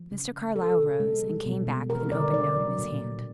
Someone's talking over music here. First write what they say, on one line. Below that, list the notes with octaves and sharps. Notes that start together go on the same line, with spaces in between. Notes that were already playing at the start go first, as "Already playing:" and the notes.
Mr. Carlyle rose, and came back with an open note in his hand.
Already playing: F3
C#3
C#3
G#3 A4
B2
G#3
G3
B2
B2
G3 A#4
D3 D5
D3 D5
F#3
A#2
A#2